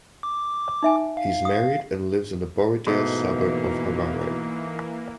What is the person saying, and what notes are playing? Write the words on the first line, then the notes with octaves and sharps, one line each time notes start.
He is married and lives in the Borrowdale suburb of Harare.
D6
D#4 E5 G#5
F5
D#6
G#2 B2 E3 A3 A#3